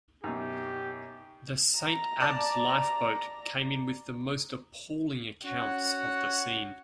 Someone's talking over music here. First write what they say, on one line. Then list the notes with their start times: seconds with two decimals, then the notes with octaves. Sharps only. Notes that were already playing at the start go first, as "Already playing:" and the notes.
The Saint Abbs' lifeboat came in with the most appalling accounts of the scene.
0.24 F#2 B2 D#4 G4
1.79 A#5
2.20 D5 A5
5.45 C#4 F#4 C#5 F#5